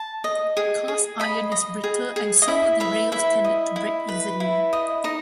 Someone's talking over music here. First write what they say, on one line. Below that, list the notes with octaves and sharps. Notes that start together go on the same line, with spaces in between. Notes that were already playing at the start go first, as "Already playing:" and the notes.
Cast iron is brittle and so the rails tended to break easily.
Already playing: A5
D#5
G#4
G#4
D#5 B5
D#5
G#4
G#4
D#5
E4 E5
B4 E5
E4 E5
D#5
E4
B4
E4
D#5
D#4 D#5